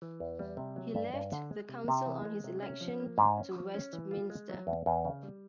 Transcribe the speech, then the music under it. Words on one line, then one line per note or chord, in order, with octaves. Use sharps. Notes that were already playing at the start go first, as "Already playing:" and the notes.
He left the council on his election to Westminster.
E3
E2
G3
C3
F#3
G2
G2
D3
G#3
C3
C3
E3
G#3
C3
C#4
F3
A#3
G#2
C#4
F3
C#4
E3
F4
G#3
F#3
E2
E2
C#3
G3